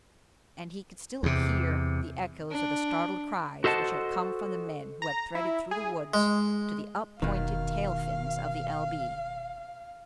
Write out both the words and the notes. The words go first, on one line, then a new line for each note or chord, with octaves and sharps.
And he could still hear the echoes of the startled cries which had come from the men who had threaded through the woods to the up-pointed tail fins of the L-B.
E2 C3
D4
F#4 A4 C5 D#5 F#5 A5
A#5
E4
G#4
G#3
F1 B2 D#3 F5